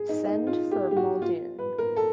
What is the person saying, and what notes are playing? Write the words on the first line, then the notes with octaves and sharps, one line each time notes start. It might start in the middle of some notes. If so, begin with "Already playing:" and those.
Send for Muldoon!
Already playing: G#4
D#4
D#4
F4
G4
G4
F#4
F4
B4
A#4
A4